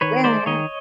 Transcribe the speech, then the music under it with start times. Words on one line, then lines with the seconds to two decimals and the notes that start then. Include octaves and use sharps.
Yeah, yeah.
0.01 D#3 B4 C#5
0.24 G#3 C5 D5
0.46 D#3 C#5 D#5